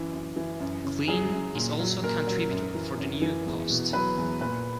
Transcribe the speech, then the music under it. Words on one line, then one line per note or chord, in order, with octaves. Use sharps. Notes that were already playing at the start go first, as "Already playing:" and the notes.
Klein is also a contributor for The New York Post.
Already playing: F#2 E3
F#2
E3
F#2
C#3
F#3 G#4
F#2
A#2
F#3
A#2 A#4
F#3
F#2
E3
F#2
E3
E2
B2
F#3 B4
E2
A#2 B4